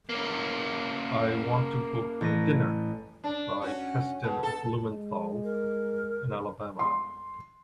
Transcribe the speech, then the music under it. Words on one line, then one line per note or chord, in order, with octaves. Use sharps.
I want to book Dinner by Heston Blumenthal in Alabama.
A#3 C#4
A1 A#6 D#7
D4
C#4 F#4
B2
A4
G#3
A#4
C6